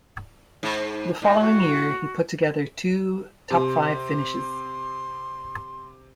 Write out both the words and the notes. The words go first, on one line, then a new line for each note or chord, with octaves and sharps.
The following year, he put together two top-five finishes.
G#2
A2 D#4 D#5
F#4
C3 C6